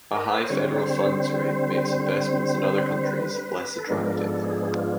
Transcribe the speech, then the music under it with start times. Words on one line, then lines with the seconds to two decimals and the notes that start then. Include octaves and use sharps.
A high federal funds rate makes investments in other countries less attractive.
0.14 A#4
0.26 B4
0.38 C5
0.50 D3 G3 C4 C#5
0.69 C#5
0.78 C5
0.97 C#5
1.06 C5
3.03 B4
3.79 A4
3.87 G#2 F3 G#3 B3 D4 A#4
4.06 A#4
4.16 A4
4.44 G#4
4.72 F4